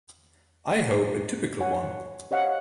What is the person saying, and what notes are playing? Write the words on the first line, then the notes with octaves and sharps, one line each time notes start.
I hope a typical one.
C#5 F#5 G#5
G4 C5 C#5 D#5 F5 F#5